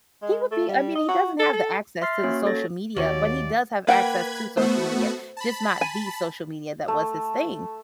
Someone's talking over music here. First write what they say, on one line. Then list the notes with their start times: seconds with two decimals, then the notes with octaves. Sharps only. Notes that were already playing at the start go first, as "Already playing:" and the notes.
He would be I mean, he doesn't have the access to the social media, but he does have access to social media, just not the social media that was his thing.
0.22 G#3
0.51 A3
0.69 G3
0.95 D#5
1.08 F#4
1.39 A4
1.53 A4
2.02 E5 C6 F6 A6 C7
2.23 A#3 C#4 F#4 C#5
2.45 A4 C#5 A6 A#6
2.97 D#2 F#4 C#5 D5 F#7
3.87 A#3 B4 F#5 G5 B5 G#6
4.57 A3 B3 F#4 C5
5.37 A5 B5
5.81 G#5
6.88 A3